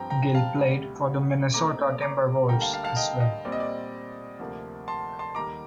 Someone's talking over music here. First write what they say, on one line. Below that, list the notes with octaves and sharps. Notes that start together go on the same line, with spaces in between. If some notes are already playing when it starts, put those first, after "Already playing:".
Gill played for the Minnesota Timberwolves as well.
Already playing: G2 F3 C4 G5 A#5
G5 A#5
G5 A#5
F5 A5
D2 C3 G3
A#2 A3 C4 A#5 D6
A#5 D6
D2 D3 G3 A#3 G5 A#5
F5 A5
F5 A5
F5 A5
D#5 G5
D#5
A#2 G3 C4 D5
D#5
D5
D2 C3 F3 A#3
A5 C6
A5 C6
D#2 D#3 G3 A#5 D6